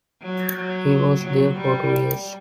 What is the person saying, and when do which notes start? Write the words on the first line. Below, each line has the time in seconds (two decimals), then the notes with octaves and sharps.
He was there for two years.
0.22 F#3
0.56 F#3
1.24 F#3
1.57 G3